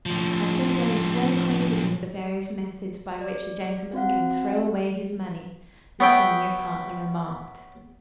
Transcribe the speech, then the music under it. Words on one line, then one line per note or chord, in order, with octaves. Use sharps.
"I thought I was well acquainted with the various methods by which a gentleman can throw away his money," the senior partner remarked.
A2 F3
D5
C4 F#4 F5 F#5
B3 C#5 E5 G5